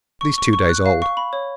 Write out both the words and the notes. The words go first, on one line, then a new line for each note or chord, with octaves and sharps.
It was at least two days old.
C#6
C#6
C#6
F#6
F5
C#6
B5
C#5